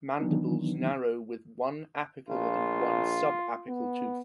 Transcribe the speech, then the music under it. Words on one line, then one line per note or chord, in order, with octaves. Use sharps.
Mandibles narrow with one apical and one subapical tooth.
D#3 E3 F#3 B3 D4 D#4
A#1 F4
B3